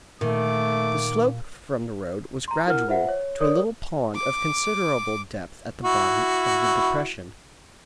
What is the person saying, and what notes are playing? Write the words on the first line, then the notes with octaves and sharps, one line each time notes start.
The slope from the road was gradual to a little pond of considerable depth at the bottom of the depression.
A#2 D#3 A3 D6
A#5 C6
E4 A#4 F#5 F6
F4 C5 E5 F#5
C#5
A#4 C#5 D5 D#6
D6
E4 F#4